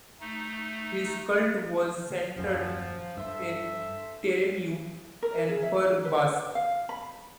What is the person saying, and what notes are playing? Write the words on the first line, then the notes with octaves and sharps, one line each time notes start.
His cult was centred in Taremu and Per-Bast.
A3 D#4
D#1 F#2 F3
G2 A4 C5 E5
A#4
G#4
E5
B4
F5
B5